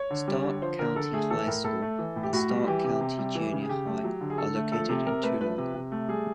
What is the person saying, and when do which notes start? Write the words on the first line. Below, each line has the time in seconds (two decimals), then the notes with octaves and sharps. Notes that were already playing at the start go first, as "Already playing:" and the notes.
Stark County High School and Stark County Junior High are located in Toulon.
Already playing: C#5
0.10 D3
0.28 G3
0.45 D3
0.61 F3 C5
0.79 D3 A#4
0.96 D3 A4
1.13 A3 G#4
1.30 E3 A4
1.47 A2 A#4
1.64 A2 A4
1.82 A3
1.99 E3
2.16 A2
2.23 G4
2.33 A2 F#4
2.49 G3
2.67 E3 G4
2.84 C3
3.01 C3
3.18 G3
3.35 E3
3.53 C#3
3.62 G#4
3.69 C#3 G4
3.86 A3
4.04 F#3
4.21 D3
4.30 G#4
4.38 D3 A4
4.55 A3
4.72 F3 A4
4.89 C3
5.06 C3 A#4
5.23 A3 B4
5.40 F3 B4
5.58 C3
5.75 C3
5.92 A3
6.08 G3 G#4